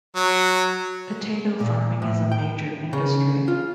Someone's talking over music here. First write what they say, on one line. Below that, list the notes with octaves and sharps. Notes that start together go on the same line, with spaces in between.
Potato farming is a major industry.
F#3
A#2
A2
G5
C#3
F4